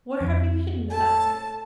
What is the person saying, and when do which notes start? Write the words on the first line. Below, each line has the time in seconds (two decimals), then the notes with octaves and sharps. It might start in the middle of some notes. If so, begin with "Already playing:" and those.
'Where have you hidden the basket?
0.21 F2
0.90 A2 A4 A5